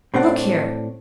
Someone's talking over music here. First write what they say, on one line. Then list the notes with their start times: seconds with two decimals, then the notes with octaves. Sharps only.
"Look here!"
0.14 A2 C4 D4 F#5